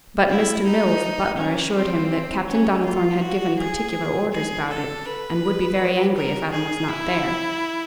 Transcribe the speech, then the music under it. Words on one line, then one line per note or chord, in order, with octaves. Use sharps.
But Mr. Mills, the butler, assured him that Captain Donnithorne had given particular orders about it, and would be very angry if Adam was not there.
E4
D#4
C#4
C4
C#4
F4
F#4
G#4
G#4
A4
B4
A#4
G#4
E4